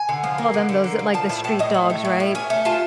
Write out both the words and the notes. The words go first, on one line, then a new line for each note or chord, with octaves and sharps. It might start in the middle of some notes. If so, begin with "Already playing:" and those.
I call them those, eh, like, the street dogs, right?
Already playing: G#5
D3
F3
A#3
D3
D3
A#3
D3
F3 A5
A2 A5
A2 A5
A2 D#5
A2
A3
A2
A2
C#4 G#5
A3
F4 A5